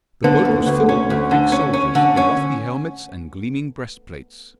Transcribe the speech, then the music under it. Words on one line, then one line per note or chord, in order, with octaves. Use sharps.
The boat was filled with Greek soldiers in lofty helmets and gleaming breastplates.
D3 B3
D2 A3
B3
D2
A3
C#4
D2
D3
C#4
C#4
D3
C#4